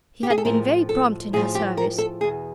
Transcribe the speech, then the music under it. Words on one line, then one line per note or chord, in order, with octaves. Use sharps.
He had been very prompt in her service.
G4
G#4
A4
A2 F3 A#4
A4
A2 F3 G#4
G4
A#4
A4
E2 B2 G#4